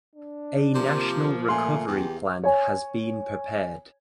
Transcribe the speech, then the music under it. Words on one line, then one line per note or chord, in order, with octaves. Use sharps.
A National Recovery Plan has been prepared.
D4
C3 F3 A#3
A#2 A3 G#5 C6
E2 G4
C#5 G#5